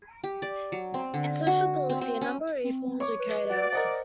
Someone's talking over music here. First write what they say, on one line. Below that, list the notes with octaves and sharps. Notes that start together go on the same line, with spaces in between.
In social policy, a number of reforms were carried out.
G4
D5
F#3
C4
D3
F#4
C4
C4
C#4
C4
C#5 D6
B4
F#4 D5
A#4 C5 D#5 F#5